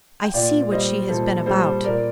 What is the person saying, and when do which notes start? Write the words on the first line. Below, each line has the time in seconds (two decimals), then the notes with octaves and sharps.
I see what she has been about.
0.23 G5
0.34 A#2 D5 F5
0.71 G3 C5 D#5
1.09 A#2 A4 C5
1.46 G3 A4 C5
1.84 A#2 A#4 D5